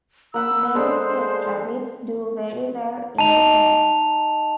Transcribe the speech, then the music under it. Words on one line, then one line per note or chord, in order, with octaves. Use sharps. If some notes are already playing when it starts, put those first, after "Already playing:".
Many pet rabbits do very well in the home.
A#3 F#5 B5 E6
G#3 D4 A4 C5
D#4 A5 F7